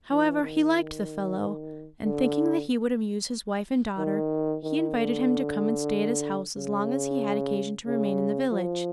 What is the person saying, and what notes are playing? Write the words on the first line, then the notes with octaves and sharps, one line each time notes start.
However, he liked the fellow; and thinking that he would amuse his wife and daughter, he invited him to come and stay at his house as long as he had occasion to remain in the village.
E3
D#3
D3
D#3
D#3
D3
C#3
C#3
F3